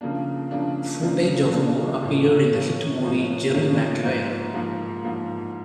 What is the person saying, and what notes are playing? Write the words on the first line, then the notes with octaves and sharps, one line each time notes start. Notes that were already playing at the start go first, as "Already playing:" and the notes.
Footage of Moore appeared in the hit movie "Jerry Maguire".
C#3 F3 A#3 D4
C#3 F3 A#3 D4
C#3 F3 A#3 D4
C#3 F3 A#3 D4
A2 F3 A#3 C#4
A2 F3 A#3 C#4
A2 F3 A#3 C#4
A2 F3 A#3 C#4
G#2 F3 A#3
G#2 F3 A#3
G#2 F3 A#3